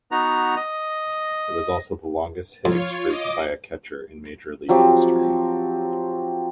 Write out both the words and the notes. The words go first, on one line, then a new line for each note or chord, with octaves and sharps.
It was also the longest hitting streak by a catcher in major league history.
B3 D#4 F#4 A#5
D#5
F2 F4 C#5
D#5 D6
F3 F#3 C4 G4